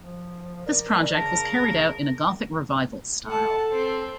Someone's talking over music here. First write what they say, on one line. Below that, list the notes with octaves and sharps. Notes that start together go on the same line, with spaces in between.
This project was carried out in a Gothic revival style.
F3
A#4 D5
C#3 A#4 A5
A4 F#5 A5
C4